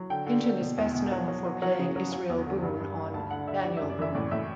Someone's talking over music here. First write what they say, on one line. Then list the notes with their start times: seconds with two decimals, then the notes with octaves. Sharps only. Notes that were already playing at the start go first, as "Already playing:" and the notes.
Hinton is best known for playing Israel Boone on "Daniel Boone".
Already playing: F#3
0.10 D3 G5
0.26 D3
0.43 D3
0.61 B2
0.78 E2
0.95 B2
1.11 F#3 F#5
1.28 F#3
1.45 F#3
1.62 F#3 F#5
1.79 C#3
1.96 F#3
2.12 F#3
2.30 E2
2.46 D3
2.63 G2
2.80 G2
2.97 G2
3.14 D2 A5
3.31 D3 F#5
3.48 D3 E5
3.64 G3 D5
3.77 F#2 E5
3.90 D5
3.99 E3 E5
4.15 A2 D5
4.31 A2 E5